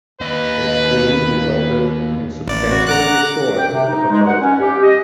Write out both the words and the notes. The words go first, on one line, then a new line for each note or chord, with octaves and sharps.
His pleas resulted in substantially restoring the proposed cuts.
D#2 B4 D#5
A1 D5
F#4
F#5 A#5 D6 F#6
G5
C3
D#4
G#3
F#5
C#4
G4
D#5